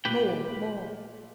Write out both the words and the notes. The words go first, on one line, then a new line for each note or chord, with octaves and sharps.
More! more!
A#2 G4 B4 G5